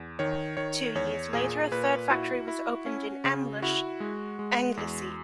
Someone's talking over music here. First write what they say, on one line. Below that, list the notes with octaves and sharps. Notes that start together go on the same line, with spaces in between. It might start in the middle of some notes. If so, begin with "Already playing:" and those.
Two years later a third factory was opened in Amlwch, Anglesey.
Already playing: E2
D#3 C#5
D#3 C#5
E2 C#5
A#2 G#4
A#2 B4
E4 F#4
E4
C#4
C#3
E4 F#4
G#3
G#3
E2